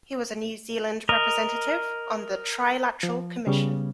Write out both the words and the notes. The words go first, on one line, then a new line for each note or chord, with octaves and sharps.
He was a New Zealand Representative on the Trilateral Commission.
A#4 D#5
F3
C#3 G3 B3 C#4